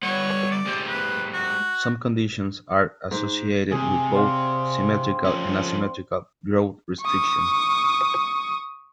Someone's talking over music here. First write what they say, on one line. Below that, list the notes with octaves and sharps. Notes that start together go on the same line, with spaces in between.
Some conditions are associated with both symmetrical and asymmetrical growth restriction.
G3 B3 C#5 F#5
D5
G#3 G4 C5
B4
F#4
G#2
C3 G#4
C4 D5 F5
F3 C#4
C#6 D#6